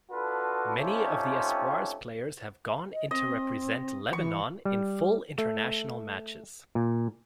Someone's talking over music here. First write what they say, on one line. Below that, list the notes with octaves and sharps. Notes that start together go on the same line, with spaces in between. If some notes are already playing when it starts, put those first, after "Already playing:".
Many of the Espoirs players have gone into represent Lebanon in full international matches.
D4 F4 F#4 A4 B4
A3 C4 C#4 D#4 F4 G4
D#5
C4 D#5
E3 C#6
G3
A3
A#2